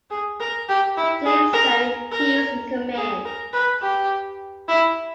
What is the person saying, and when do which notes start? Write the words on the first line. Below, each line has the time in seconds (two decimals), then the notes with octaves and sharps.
James J. Hughes in command.
0.10 G#4
0.40 A#4
0.69 G4
0.97 E4
1.25 G#4
1.53 A#4
2.11 A#4
2.96 G#4
3.25 A#4
3.53 B4
3.81 G4
4.68 E4